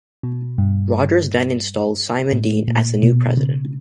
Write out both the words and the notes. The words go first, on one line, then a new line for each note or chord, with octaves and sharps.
Rogers then installed Simon Dean as the new president.
B2
G2
A2
A#2
B2
C#3